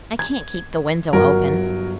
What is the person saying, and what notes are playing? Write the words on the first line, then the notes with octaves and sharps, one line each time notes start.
"I can't keep the window open."
G#6
G1 F#3 A#4